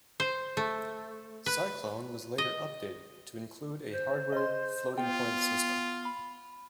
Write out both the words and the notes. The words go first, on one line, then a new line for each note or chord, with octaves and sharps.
Cyclone was later updated to include a hardware floating point system.
C5
A3
B4
D#5
C5
D#5 C6
B3 F4 G5
B5